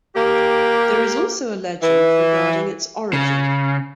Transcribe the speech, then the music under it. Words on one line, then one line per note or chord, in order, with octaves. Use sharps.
There is also a legend regarding its origin.
A#3 G4
E3
C#3